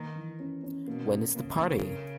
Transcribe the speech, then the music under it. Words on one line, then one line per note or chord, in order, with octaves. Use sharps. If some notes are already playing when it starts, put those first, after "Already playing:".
When is the party?
Already playing: D#3 A#3 B4
E3
C#4
C#4
B2 A#3
A#3
C#3 A#3
A#3
A#4